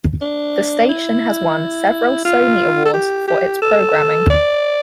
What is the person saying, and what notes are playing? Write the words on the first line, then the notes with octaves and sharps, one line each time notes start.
The station has won several Sony Awards for its programming.
D4
E4
F4
A4
G4
G4
A4
D5